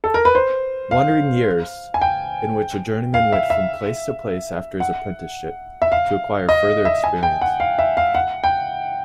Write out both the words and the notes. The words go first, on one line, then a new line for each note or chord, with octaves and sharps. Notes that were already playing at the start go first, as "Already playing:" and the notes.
Wandering years, in which a journeyman went from place to place after his apprenticeship, to acquire further experience.
A4
A#4
B4
C5
F5
G#5
G5
F5
E5
E5
F#5
E5
F5
D#5
E5
G#5
G5
F#5
F5
E5
F5
F#5
G5